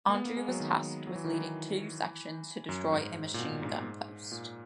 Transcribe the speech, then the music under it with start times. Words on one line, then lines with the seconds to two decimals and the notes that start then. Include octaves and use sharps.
Andrew was tasked with leading two sections to destroy a machine-gun post.
0.09 A#3
0.14 B3
0.25 A#3
0.37 G#3
0.48 F#3
0.60 D#3
1.07 F#3
1.15 E3
1.24 D#3
1.34 E3
2.69 F#2
2.92 G#2
3.34 A#2
3.39 B2
3.62 G#2
4.32 A#2